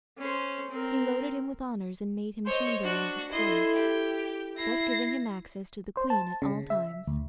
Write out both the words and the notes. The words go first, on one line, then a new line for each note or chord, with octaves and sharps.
He loaded him with honors, and made him chamberlain of his palace, thus giving him access to the queen at all times.
C#4 C5
C4 A#4
C5 C#5 D#5
D4 F#4
E4 A4 D#5 C6
G4
E4 A#6 C7
C5
A5
C#3
E5
D2